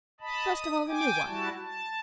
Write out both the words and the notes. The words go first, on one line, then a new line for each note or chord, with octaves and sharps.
"First of all, the new one."
D#5 A5 B5
D#6
G5 G#5 D6
G3 E4 F#4 A5
A5